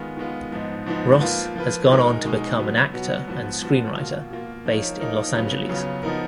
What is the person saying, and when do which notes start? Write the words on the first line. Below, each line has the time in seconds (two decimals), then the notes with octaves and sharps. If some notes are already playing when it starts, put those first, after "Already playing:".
Ross has gone on to become an actor and screenwriter, based in Los Angeles.
Already playing: D#3 G#3 B3 F4
0.17 D#3 G#3 B3 F4
0.52 G#2 F3 B3 D#4
0.86 G#2 F3 B3 D#4
1.21 F3 A#3 F4 B4
1.56 F3 A#3 F4 B4
1.89 B2 G#3 D#4 A#4
2.24 B2 G#3 D#4 A#4
2.58 B2 F#3 B3
2.94 B2 F#3 B3
3.27 G#2 F3 B3 F#4
3.61 G#2 F3 B3 F#4
3.97 B2 A#3 F4
4.30 B2 A#3 F4
4.66 F3 A#3 D#4 A#4 C#5
5.00 F3 A#3 D#4 A#4 C#5
5.35 C#3 F#3 B3 F4
5.69 C#3 F#3 B3 F4
6.03 F3 B3 D#4 A#4